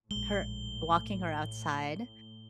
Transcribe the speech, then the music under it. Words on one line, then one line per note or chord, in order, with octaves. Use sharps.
her walking her outside,
A#1 A2 G#3 G7